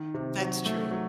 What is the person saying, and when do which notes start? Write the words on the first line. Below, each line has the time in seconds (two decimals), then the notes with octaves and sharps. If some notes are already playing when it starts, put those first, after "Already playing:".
That's true.
Already playing: D#3
0.14 C3
0.39 F#3
0.66 A3
0.91 F#3